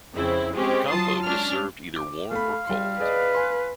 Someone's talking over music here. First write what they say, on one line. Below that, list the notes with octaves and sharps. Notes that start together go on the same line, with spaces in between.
The compote is served either warm or cold.
F2 C#3 C4 E4
G#3 C4 C#4 G4
F#3 F4 A5 D#6 C7
G#3 C#4 D4 F6
D6
A3 F5 B5
G3 C6
G#4 B4 D5 D#5
G#5 C6